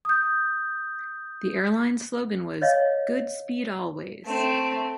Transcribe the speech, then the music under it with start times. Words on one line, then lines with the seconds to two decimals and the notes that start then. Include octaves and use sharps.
The airline's slogan was "Good Speed Always".
0.05 D#6 G6
2.62 C#5 D#5 F5
4.25 A3 C4